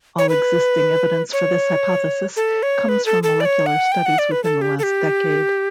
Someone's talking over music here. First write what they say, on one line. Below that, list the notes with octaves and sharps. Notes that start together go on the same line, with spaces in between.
All existing evidence for this hypothesis comes from molecular studies within the last decade.
C#5
B4
C#5
A4
C#5
B4
A4
A4
D5
C#5
F#5
G5
F#5
D5
B4
A4
G4
A4
G4